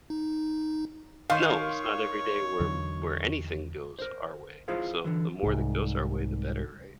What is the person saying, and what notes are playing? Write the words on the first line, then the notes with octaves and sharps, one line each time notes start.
No, it's not every day where where anything goes our way, so the more that goes our way, the better, right?
D#4
D#3 C#5 F5 C6
E2 D3 F#3
A#4 C5
E4 F4 G#4 C5 C#5 F5
D3 E3 F#3
C2 G#2